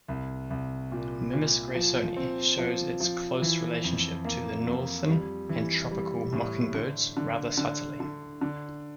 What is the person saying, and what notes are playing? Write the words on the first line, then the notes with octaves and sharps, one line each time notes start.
"Mimus graysoni" shows its close relationship to the northern and tropical mockingbirds rather subtly.
C2
C2
A#2
A#2
F3
C4
F3
F3
E3
F2
A#3
F2
G3
E3
G3
A2
D3
D3
D3
D3
D3